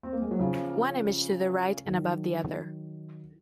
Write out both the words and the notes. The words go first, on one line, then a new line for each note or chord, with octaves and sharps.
One image to the right and above the other.
C4
A#3
G#3
F#3
C#3 F3
D#3 F#3